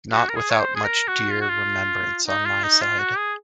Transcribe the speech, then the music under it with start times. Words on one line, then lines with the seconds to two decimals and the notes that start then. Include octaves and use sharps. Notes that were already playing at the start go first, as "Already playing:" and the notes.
Not without much dear remembrance on my side.
0.12 F#4
0.29 A#4
0.36 G#4
0.50 C#5
0.59 C5
0.75 G#4
0.84 A#4
1.08 F#4
1.31 F4
1.41 F#4
1.49 F4
2.28 D#4
2.45 F4
2.63 D#4
2.81 F4
2.99 F#4
3.18 G#4